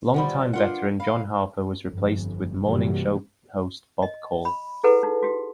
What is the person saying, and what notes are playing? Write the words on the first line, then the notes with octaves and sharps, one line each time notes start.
Longtime veteran John Harper was replaced with morning show host Bob Call.
G2 F3 G3 F#5 B5
D4 F4 A#4 B4 F#5
F5 B5
G1 F2
G2 C3 E3 F#3 G3 A#3
D#5
B5
E4 G#4 A4 B4 F#5
D#4
F#4 G4